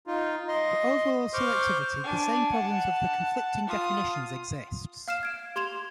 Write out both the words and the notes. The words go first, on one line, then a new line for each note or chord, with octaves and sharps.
For overall selectivity the same problem of the conflicting definitions exists.
D#4 F4
D#5 C6
C5 C#6 D6 F6 G6
D4 G#5
F#5 A5
F4 D#6
F5 F6 C7 E7
G#6 D7
G4 C6 G#6 E7 F7